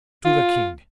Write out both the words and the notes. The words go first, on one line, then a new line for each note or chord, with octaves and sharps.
"To the king."
F4